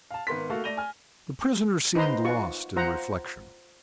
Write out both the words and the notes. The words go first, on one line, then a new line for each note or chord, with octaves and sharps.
The prisoner seemed lost in reflection.
F5 A5
G#1 B3 A#4 C6 B6
A3 A#3 F#4 A4 F5
A3 D5 A#6 D#7 F7 G7
G#5 F6
D#4 B4 C5 A#5 C6
F4 F#4 C#6
F4 C5 F#5 A#5